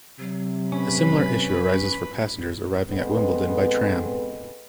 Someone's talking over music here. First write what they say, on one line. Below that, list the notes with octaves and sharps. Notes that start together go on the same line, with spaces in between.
A similar issue arises for passengers arriving at Wimbledon by tram.
C3 F#3
C#4 B4 B5
G#3 B3 C4 A4 B4